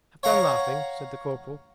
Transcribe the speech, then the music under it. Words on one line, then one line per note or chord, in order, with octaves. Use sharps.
'Have done laughing!' said the corporal.
C#5 F5 F#5 A#5